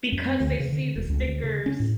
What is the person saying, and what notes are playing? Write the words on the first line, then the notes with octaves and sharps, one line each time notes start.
Because they see the stickers
F#2
C4
D2
C#3
D3
E1
C#2
D2
C#3
C#4
A2